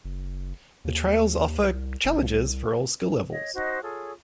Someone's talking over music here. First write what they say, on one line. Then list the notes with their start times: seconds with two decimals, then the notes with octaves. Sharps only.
The trails offer challenges for all skill levels.
0.05 F#1
0.85 D#2
1.58 C2
2.04 F1
2.18 C2
3.30 C#5 D#5
3.54 D#4 F#4 C5 D#5
3.82 F4 G#4 A4 C#5